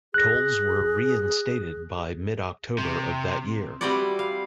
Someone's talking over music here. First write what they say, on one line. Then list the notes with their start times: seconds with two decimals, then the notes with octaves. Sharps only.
Tolls were reinstated by mid-October of that year.
0.14 G#4 F#6 A#6
2.78 C3
3.81 G3 C4 E4 F#4 B4 D5
4.19 F5